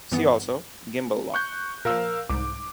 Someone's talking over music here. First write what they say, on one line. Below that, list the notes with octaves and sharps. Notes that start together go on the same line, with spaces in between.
See also: Gimbal Lock.
G2 E3 B3
C#6 F#6 G6
A#2 F3 A#4 F5 E6
C2 G#2 D6